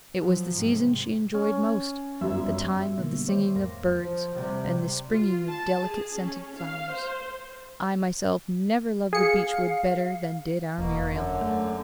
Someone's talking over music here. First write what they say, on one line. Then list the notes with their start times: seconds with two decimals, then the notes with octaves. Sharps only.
It was the season she enjoyed most--the time of the singing of birds, and the springing of delicate-scented flowers. I myself never loved the beech-wood better than did our Muriel.
0.19 F3 F#3
0.55 G#2 C3
1.34 C#4
2.21 G1 F#2 E5
2.98 B2 D3 D#3 F#3 G3 A#3
3.28 C5 C#5 E5 G5 C6 D6
3.56 E2 G#2 A#4 F5 C6 A#6
4.00 F3
4.35 C3 G3
5.11 F4
5.50 A5
5.85 G#4
6.19 C#4
6.58 F5
6.92 C5
9.13 G#4 F5 C#7
10.78 E1 B2 A#3
11.10 F#2 D3
11.41 A3